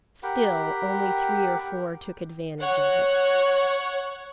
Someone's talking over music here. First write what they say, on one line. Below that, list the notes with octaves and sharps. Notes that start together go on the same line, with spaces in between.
Still, only three or four took advantage of it.
G4 A#4 F#5 G5 B5
C#5 F#5